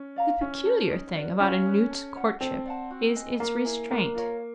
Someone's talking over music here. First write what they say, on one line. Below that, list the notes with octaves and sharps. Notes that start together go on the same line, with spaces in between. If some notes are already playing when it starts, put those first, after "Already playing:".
The peculiar thing about a newt's courtship is its restraint.
Already playing: C#4
D5 F5 A#5
C#4 E4
A4 C5
D#4
F#4 B4 D5
C#4 F4
G#4 B4
A4
C#5 F#5
C4 A4
D5 F#5 A5
F#4
B4 D#5 G#5
A#3 C#4
E4 G#4
A#3 D4
F4 A#4 C#5